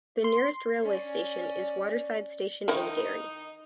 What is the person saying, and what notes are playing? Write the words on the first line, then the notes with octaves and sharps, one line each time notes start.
The nearest railway station is Waterside Station in Derry.
C6
C#4 D5
D#3 D#4 E4